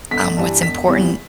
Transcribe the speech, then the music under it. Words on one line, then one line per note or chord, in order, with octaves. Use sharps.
um, what's important
G1 B6
G2 E3 G3
E1 B6
E2 C3 E3 G3